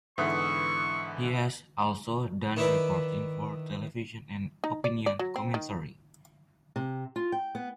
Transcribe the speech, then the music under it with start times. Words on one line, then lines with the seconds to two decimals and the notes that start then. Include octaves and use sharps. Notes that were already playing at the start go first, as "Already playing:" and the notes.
He has also done reporting for television and opinion commentary.
0.18 G#2 D3 E3 B3 E4 B4 C#6
2.57 D#3 E4 B4 D5
4.64 D#4
4.84 D5
5.06 D5
5.19 F#3
5.36 C4
5.54 D#3
6.76 C3
7.16 F4
7.32 G5
7.55 B3